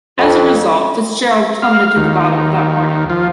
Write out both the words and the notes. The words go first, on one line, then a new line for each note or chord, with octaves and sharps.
As a result, "Fitzgerald" plummeted to the bottom without warning.
F2
F5
D#2
F3